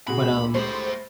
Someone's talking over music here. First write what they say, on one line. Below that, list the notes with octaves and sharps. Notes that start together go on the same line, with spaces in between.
but, um
A#2 C4 F#4 G#4 B5
D2
G#3 A3 G4 C5 B5